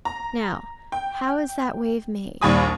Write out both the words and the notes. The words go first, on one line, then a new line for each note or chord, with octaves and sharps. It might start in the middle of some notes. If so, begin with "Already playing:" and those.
Now, how is that wave made?
A#5
G5
A#1 D#2 G3 G#5 B5 D#6